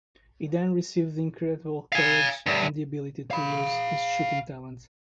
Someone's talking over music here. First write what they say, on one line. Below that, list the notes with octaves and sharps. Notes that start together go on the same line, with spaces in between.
He then received incredible courage and the ability to use his shooting talent.
F5 G#5
D2 G2
F5 B5